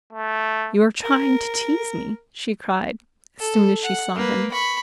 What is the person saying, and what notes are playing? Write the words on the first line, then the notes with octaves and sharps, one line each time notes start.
'You are trying to tease me,' she cried, as soon as she saw him.
A3
A#4
A4
F#5
A#3 B4
B5 C#6